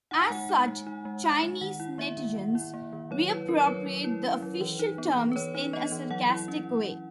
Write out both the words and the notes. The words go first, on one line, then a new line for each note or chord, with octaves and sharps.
As such Chinese netizens reappropriate the official terms in a sarcastic way.
D#4 F#5
G#5
G#3 F#5
D#4
G#3
D#4
G#3
D#4
G#3
D#3 F#5
E4
A#3 E5
D#3
D#3
E4
A#3
D#3
F#3 C#5
E4 B4
C#4 A#4
C#5
F#3 B4
F#3
E4
C#4
F#3
E3
D#4
B3
E3
B4
E3 C#5
D#4
B3 D#5
E3
F#3 F#5
E4
C#4